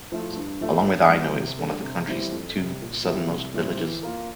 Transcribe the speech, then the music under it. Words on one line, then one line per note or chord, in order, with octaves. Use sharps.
Along with Aynho it is one of the county's two southernmost villages.
F3 A3 E4
G2
F3 A3
G2
E3 G3
C3
G3 D4 A4
C3
E3 G3 C4 E4
F2
C3 G3
A#2
F3 A#3 E4 G4
C2
A#2 G3 C4 E4
E3
A#3 F4 A#4